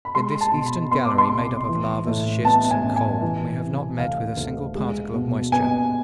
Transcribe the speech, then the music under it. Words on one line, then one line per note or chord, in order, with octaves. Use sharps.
In this eastern gallery made up of lavas, schists, and coal, we have not met with a single particle of moisture.
B5
G#3 C6
A5
B2
B5
B3 C6
D6
C6
C2
E3
A2
B3 A5
G#5
A1
G#5
E3
C3
D2 F5
D2
G#3
B2
B3 G#5